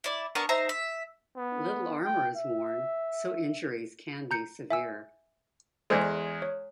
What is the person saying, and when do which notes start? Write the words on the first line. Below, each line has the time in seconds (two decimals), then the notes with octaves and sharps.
Little armor is worn, so injuries can be severe.
0.04 E4 D5
0.35 B3 D4 A#4 C#6
0.49 D#4 C5 E5 A#5
0.69 E5
1.37 B3
2.05 G5
2.36 E5
4.31 A#5 G6 C#7
4.70 E5 G#5 E6
5.90 E2 G#3 A4 C5 D5
6.42 C#5